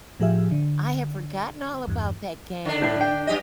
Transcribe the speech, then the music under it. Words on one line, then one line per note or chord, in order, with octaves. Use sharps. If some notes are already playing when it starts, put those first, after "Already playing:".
I have forgotten all about that game.
A2 F3 G4 G#4 E5 F5
D3
E2 G2
D3 D4
A2
G5
G2 G4 D#5